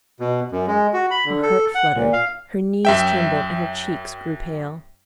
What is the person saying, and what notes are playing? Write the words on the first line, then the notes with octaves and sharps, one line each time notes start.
Her heart fluttered, her knees trembled, and her cheeks grew pale.
B2
F#2
G#3
F#4
B5
D3
A4
F#5
A#2
F5
F#2 E5 G5